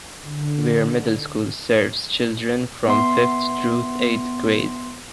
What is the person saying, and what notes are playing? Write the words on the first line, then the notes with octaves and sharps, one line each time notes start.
Weare Middle School serves children from fifth through eighth grade.
D3
B3 E5 C6